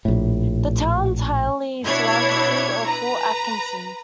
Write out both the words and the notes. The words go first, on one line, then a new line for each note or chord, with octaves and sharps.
The town entirely surrounds the city of Fort Atkinson.
A#1 A2
B2 D4 E4 C#5 G#6
B4 A#5